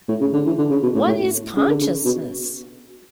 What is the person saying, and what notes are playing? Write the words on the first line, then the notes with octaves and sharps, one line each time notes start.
What is consciousness?
A2
C#3
D3
E3
D3
C#3
B2
A2
A2
C#3
D3
C#3
B2